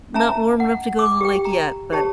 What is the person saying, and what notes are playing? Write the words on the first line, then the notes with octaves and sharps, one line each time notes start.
not warm enough to go to the lake yet, but
C#4 E5 A5 A#5
F#5
D6
G4 G5
A#5
G4 C#5 A5